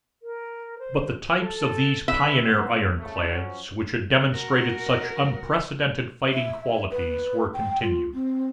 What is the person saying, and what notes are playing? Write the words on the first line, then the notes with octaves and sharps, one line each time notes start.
But the types of these pioneer ironclads, which had demonstrated such unprecedented fighting qualities, were continued.
A#4
C5
A4
A3 D4 B4 E5
B3 C4
C#3 A3
F3 F#3 C#4
F#4 A#4
E5
B4
G5
F4
C4